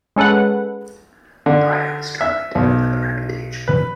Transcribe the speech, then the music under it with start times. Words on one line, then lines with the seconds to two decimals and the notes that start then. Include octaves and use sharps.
The writer was struggling to build up a reputation.
0.16 G#3 C#4 A4 B4 F#5
1.46 D3
2.21 E5
2.55 B1
3.68 B4